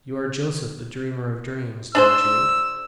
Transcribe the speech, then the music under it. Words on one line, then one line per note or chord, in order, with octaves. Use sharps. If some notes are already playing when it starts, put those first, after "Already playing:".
You are Joseph the dreamer of dreams, dear Jude.
D4 G#4 C5 E6